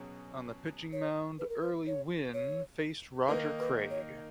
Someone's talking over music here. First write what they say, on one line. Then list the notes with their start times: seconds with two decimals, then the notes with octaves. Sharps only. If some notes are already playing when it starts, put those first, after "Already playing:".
On the pitching mound, Early Wynn faced Roger Craig.
Already playing: B2 F#3 C#4 G#4
0.92 C#5
1.39 B4
1.49 A#4
1.61 B4
1.87 C#5
2.34 C#5
3.28 D#3 A#3 D#4 A#4 B4
3.59 B4
3.90 C#5